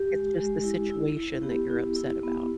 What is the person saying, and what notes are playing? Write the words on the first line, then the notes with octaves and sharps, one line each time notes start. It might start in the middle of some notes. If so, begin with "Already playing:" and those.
It's just the situation that you're upset about.
Already playing: G4
G#3
G#3
E4
E4
E4
B3 G4
E4
E4
B3